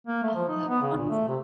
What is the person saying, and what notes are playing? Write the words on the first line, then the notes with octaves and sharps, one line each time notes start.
Oh, how funny.
A#3
A3
F3
D#4
B3
C#3
A#2
A3
C3